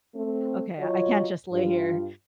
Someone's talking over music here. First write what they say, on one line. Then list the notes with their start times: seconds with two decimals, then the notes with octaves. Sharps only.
ok, I can't just lay here,"
0.15 A3 C4
0.78 F#3 F4 C#5 D#5
1.52 G2 F4